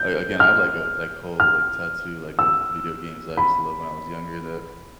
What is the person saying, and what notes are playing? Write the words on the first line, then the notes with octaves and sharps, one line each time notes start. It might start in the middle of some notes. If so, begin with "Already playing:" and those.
a again, I have, like, a like, whole, like, tattoo, like, of video games that I used to love when I was younger that
Already playing: G6
F6
F6
E6
B5